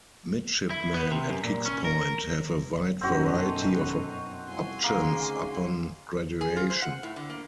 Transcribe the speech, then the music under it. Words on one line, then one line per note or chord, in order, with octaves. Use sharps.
Midshipmen at Kings Point have a wide variety of options upon graduation.
E4
B3
C3
F#2
A#2
C#4
A#4
F#2 B2 C4 C#4 D#4 F#4 A4
C2 F2 G#5 C6
D2 G#2 C#3 A#3
G#4
F4
C5
F#5
A2
D3
A#3